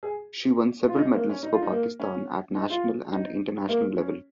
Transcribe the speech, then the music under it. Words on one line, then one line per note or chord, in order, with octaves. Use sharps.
She won several medals for Pakistan at national and international level.
G#4
F4
D#4
C#4
A#3
C#4
D#4
F4
D#4
A#3
C#4
D#4
F4
D#4
A#3
C#4